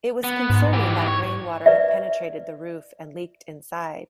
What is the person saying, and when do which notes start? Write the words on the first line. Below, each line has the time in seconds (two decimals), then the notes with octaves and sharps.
It was concerning that rainwater had penetrated the roof and leaked inside.
0.24 B3
0.50 G#2
0.73 E3 G4
1.07 C#5
1.66 B4 D5 E5